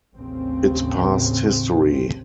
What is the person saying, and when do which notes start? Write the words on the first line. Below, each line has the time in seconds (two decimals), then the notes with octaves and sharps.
It's past history.
0.15 A1 D#2 C#3 C4